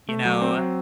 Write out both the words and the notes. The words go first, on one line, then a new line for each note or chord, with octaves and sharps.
you know,
A3
F#3
C4
F#3